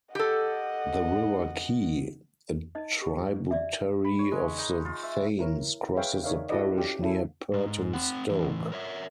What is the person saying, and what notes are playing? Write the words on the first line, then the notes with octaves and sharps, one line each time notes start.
The River Key, a tributary of the Thames, crosses the parish near Purton Stoke.
G4 A4 D#5 F#5
D#4 D#5
G4
D5 E5
B5
C#5
G#3
D#4
F4
E5
E4 A#4 C#5
G#4 B4 C#5 E5 F5 G5
D#4 A#4 C#5 D5 E5 F5
E4 F#4 A4 B4 D5 D#5
C#4 G4
C#4 E4 A4
G#2
C4 F#5
A2 E3
A#4 C#5 E5